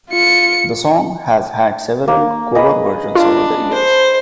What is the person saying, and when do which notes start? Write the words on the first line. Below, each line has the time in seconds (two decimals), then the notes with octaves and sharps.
The song has had several cover versions over the years.
0.10 F4 C#7
2.08 A#3
2.55 G#4 B4 D#5
3.15 D4 F4
3.73 C5